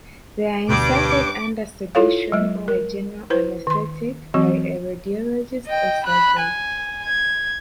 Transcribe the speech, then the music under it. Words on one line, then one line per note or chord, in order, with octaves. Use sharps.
They are inserted under sedation or a general anesthetic by a radiologist or surgeon.
D2 G2 B2 D6
E4 F4 A4 C#5 F5
F#3 G#3
A#4
E4 B4 C5
D#3 C6
E3 F#3 C4 F#4
D#5 G5
B5 F#6
G#5
G#6